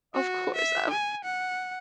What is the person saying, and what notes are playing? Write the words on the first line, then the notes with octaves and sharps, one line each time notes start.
of course, um
F#4
E5
G#5
F#5